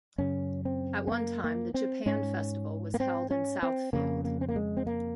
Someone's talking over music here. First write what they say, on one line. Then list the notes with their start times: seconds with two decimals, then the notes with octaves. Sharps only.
At one time the Japan Festival was held in Southfield.
0.18 F#2 C#3 C#4
0.65 C4
1.07 C4
1.12 A#3
1.44 A#3
1.74 C4
2.06 G#2 C#4
2.94 A#3
3.00 C4
3.31 C#4
3.63 C4
3.93 F2 C#3 A#3
4.24 A#3
4.41 C4
4.49 A#3
4.56 G#3
4.77 C4
4.87 A#3